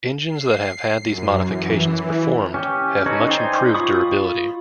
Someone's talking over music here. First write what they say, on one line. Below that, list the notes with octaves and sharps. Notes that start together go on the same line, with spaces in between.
Engines that have had these modifications performed have much improved durability.
C7
F#2
E3
C#4 G4
C#4 D#4 A4 B4 C#5
D#4 C5 D5 G5 G#5
F4 B5 C#6 D#6